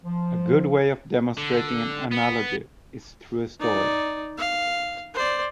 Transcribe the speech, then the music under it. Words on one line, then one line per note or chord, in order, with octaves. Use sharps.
A good way of demonstrating an analogy is through a story.
F3
D3
B3
D#4 D5
F5
C5 D5